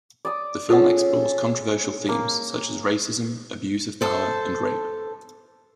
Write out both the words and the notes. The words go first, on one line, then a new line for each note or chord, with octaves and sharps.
The film explores controversial themes such as racism, abuse of power, and rape.
D5 D#6
C#4 F4 G#4 A4 F#5
A#3
A4 C5